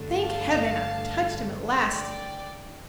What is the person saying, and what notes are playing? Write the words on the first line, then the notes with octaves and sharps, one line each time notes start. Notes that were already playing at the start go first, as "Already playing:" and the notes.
Thank Heaven, I've touched him at last!
Already playing: G1 G2 D3 A3
F5 A5
D5 G5